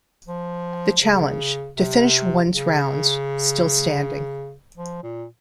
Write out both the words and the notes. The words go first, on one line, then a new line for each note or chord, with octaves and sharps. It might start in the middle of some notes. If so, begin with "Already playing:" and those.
The challenge: to finish one's rounds still standing.
F3
C#3
C3
C#3
F3
A#2